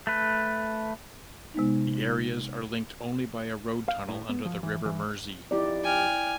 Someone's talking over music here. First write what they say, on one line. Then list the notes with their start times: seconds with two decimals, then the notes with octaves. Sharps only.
The areas are linked only by a road tunnel under the river Mersey.
0.07 A3 B4
1.54 C3 G#3 B3 D#4
3.88 F5
4.08 A2
4.29 B3
4.45 F3
4.63 E3
4.86 E3
5.51 F2 D#4 E4 G4 D5
5.84 G5 G#5 F6